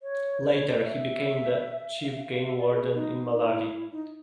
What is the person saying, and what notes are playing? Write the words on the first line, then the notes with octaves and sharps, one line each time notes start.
Later, he became the Chief Game Warden in Malawi.
C#5
C5
C#5
D5
E5
F5
E5
F5
F5
E5
D5
G#4
G#4
D#4
D#4
E4
D#4